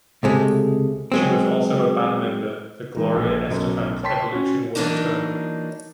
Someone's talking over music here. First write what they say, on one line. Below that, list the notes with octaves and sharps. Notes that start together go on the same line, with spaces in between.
She was also a band member for Gloria Estefan's Evolution World Tour.
C#2 C3 G#3 A3
F#3 G#3 C4
E3 G#3 D#4
A#1 A4
B1 F#2
C#5 G5 A5 C6 C#6 B6
C#4 F#4
E3 F#3 A#3 D4 D#4